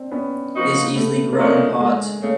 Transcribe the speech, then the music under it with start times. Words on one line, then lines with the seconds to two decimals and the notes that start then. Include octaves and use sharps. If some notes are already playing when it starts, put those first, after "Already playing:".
It is easily grown in pots.
Already playing: C4 D4
0.11 B3 C#4
0.54 F3 A#3 D#4 F#4
0.95 A3 B3
1.33 A#3
1.38 A#2 F3 G#3 A3 C#4
1.80 G#3
2.22 C#3 A3